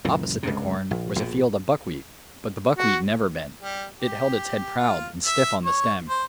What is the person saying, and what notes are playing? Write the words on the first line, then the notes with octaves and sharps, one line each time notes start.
Opposite the corn was a field of buckwheat, but the buckwheat never bent; it held its head proud and stiff on the stem.
C#2 F#2 A#2 E3
C#2 G2 C3
A#1
A#1 B2
F#4
G3
G4
F4
E5
C#5
C5